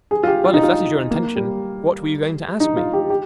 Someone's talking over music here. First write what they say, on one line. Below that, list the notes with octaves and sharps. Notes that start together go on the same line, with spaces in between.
"Well, if that is your intention--what were you going to ask me?"
G#4
F4
G4
F4
D#4
F4
A#3
G3
D#4
F4
G4
G4